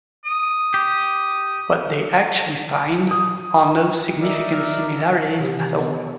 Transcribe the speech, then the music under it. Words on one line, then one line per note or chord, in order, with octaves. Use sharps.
What they actually find are no significant similarities at all.
D#6
G4
D#6
D#4 A#4 D5 E5
C3 D#3 E3 G4
B3 B4 D#5